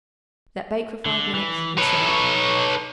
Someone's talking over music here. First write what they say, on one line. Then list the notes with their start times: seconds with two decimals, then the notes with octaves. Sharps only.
Let bake for five minutes and serve.
1.05 D3
1.34 E3
1.78 D#4 A4 B4 C#5